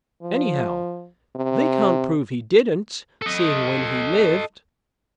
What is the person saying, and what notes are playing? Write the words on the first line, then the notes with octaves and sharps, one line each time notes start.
Anyhow, they can't prove he didn't, seeing when he lived.
F3
C3
A4 D#5